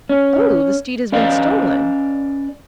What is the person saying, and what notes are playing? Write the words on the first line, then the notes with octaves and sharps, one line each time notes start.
"Oh, the steed has been stolen?"
C#4
C#4 B4 D5 D#5 F5